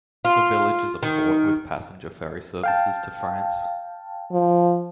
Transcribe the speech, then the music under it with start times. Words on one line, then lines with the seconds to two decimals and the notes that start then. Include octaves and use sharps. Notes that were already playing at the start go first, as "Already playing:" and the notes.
The village is a port with passenger ferry services to France.
0.25 F4
1.03 D#3
2.63 F5 G5 A5
4.32 F3